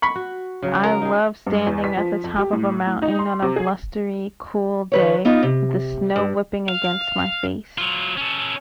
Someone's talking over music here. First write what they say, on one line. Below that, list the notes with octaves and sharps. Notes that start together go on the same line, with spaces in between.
I love standing at the top of a mountain on a blustery, cool day with the snow whipping against my face.
B5 C#6
F#4
C#3 F#3
A#4
D#4 G#4
G2
E2
B6
F3
F2
G4
A2
A2
D#4
C6
C3
G#4
D#3 B4 C#5
B3 D#4 F4
C3
G2
F5
F#3 F4
C#4 A4